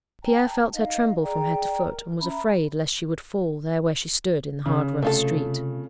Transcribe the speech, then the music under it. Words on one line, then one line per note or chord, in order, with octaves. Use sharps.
Pierre felt her tremble from head to foot, and was afraid lest she would fall, there where she stood, in the hard rough street.
G5 A5 A#5
D#4 D#5 F5
G#4 D5 G5 A#5
A#4
C#4 E5 A#5 B5
C#3
C3 A3 F4 A4